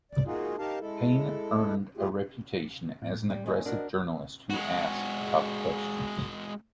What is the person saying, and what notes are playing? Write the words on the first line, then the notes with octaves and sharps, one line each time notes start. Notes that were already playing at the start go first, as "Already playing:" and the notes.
Payne earned a reputation as an aggressive journalist who asked tough questions.
D5
G#3 A#3 D#4 F4 F#4 G#4
D#4 G4 A#4 F5 A5
G#3 E4 A4
A3 F4 G4 G#4
A2
G3
D#3 A#3 C#4 E4 C5 D#5
D4 F#4 A#4
G#3 F#4